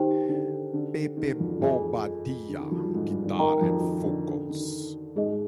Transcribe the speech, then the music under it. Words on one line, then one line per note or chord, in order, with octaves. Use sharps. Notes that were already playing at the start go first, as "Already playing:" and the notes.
Pepe Bobadilla: Guitar and Vocals.
Already playing: D#3 D#4 G4 C5 G5
D3
D3
D#3
F2 F3
D#3
F2 F3 F4 G#4 D#5 G#5
D3
D#3
F3
G3
G#2 G#3
G2 G3
D#3
D#3 A#4 D#5 G5 A#5
F2 F3
D#3
D3
D3
D#3
G#2 G#3 D#4 G#4 D#5